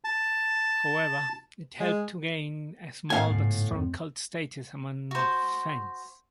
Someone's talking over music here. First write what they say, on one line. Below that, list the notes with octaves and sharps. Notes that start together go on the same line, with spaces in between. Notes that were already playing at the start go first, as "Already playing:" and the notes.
However, it helped to gain a small but strong cult status among fans.
A5
G#3
A2 B3 F5 G#5
G#2 C#3
F2 C4
F#4 C5